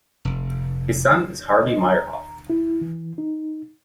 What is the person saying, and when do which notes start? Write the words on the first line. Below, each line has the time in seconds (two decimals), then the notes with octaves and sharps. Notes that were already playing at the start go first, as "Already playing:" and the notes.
His son is Harvey Meyerhoff.
0.25 F1
1.11 G3
1.49 D5
1.64 D#5
1.81 A#5
2.50 E4
2.81 E3
3.18 D#4